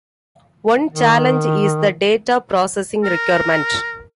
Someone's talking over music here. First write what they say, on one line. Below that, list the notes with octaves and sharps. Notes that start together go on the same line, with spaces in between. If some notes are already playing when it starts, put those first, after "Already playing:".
One challenge is the data processing requirement.
D#3
A#4